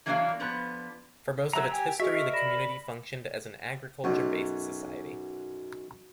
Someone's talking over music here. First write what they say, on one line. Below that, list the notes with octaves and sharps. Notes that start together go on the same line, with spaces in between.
For most of its history, the community functioned as an agriculture-based society.
E3 F#3 A#3 D4 C5 F5
D3 F3 B3 B4
F#3 E5 A#5
G4 G#5
F#4 G#4 A#4 D#5 E5 C#6
D5 B5 A#6 E7
B1 F#2